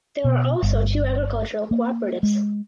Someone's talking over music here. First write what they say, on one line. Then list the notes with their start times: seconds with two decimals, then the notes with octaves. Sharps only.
There are also two agricultural cooperatives.
0.24 B2
0.62 G1
1.71 A#3
2.23 G#3